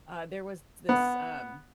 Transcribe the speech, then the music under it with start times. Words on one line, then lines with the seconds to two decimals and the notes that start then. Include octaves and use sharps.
uh, there was this, um,
0.89 B3